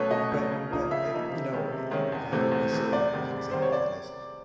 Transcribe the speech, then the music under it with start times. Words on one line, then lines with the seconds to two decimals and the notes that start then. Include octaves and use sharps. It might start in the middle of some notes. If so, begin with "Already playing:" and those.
but but, uh, you know, eh, um, as silly as as an example as that is,
Already playing: B2 F#3 A3 C#4 B4 C#5
0.11 B2 D#5
0.31 F#3 A3 C#4
0.51 C#3
0.71 F3 A#3 D#4
0.91 C#3 E5
1.11 F3 A#3 D#4
1.31 C3
1.52 D#3 G#3 C#4
1.71 C3
1.91 D#3 G#3 C#4
2.12 E2
2.32 C3 E3 A3 C4
2.52 E2
2.73 C3 E3 A3 C4
2.92 E2 D5
3.13 C3 D#3 G3 B3
3.32 E2
3.51 C3 D#3 G3 B3 C5
3.62 C#5
3.72 D5